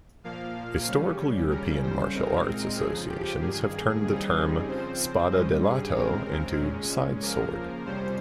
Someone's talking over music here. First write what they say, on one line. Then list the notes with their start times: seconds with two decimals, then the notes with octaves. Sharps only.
Historical European Martial Arts associations have turned the term "spada da lato" into "side-sword".
0.24 A#2 F3 A#3 F5
0.87 C#3 G3 C#4
1.50 D#2 C#3 G3 C#4 A#4
1.82 C5
2.14 A#2 G#3 C4 D#4 A#4
2.78 F2 C#3 F3 G#4
3.10 G4
3.41 G2 D#3 A#3 G#4
4.05 F2 C#3 G3 C4 D#4 G#4
4.68 C#3 F3 C4 C5
5.31 G2 G3 C#4 D#5
5.63 G#4
5.95 D#2 C#3 G#3 C4 A#4
6.59 A#2 G#3 C#4
7.22 C#3 F3 A#3 A#4
7.86 F2 C3 G3 C#4 C5